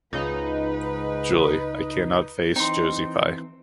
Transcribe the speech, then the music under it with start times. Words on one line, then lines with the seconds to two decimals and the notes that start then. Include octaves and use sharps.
Julie, I cannot face Josie Pye.
0.13 C#2 G#2 C#3 D#4 B4
2.56 E3 C4 D#4 C6